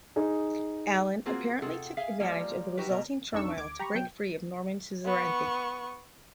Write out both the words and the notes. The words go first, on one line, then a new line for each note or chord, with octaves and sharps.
Alan apparently took advantage of the resulting turmoil to break free of Norman suzerainty.
D#4 G#4
A#3 C4 F4 F#4 G#4
C3 F4 G#4 A4 F#5
G#4 E5 F5 G#5
F3 G3 G#3 A#3 D5
D#4 F#4 G4 B4
B2 A#4 D#5 A#5
A#1 F2 D4 D#4 C#6 E6
D2 D6 G#6
G4 A#5 B5 C#6
B2 F#3 G5 G6
B3 C#6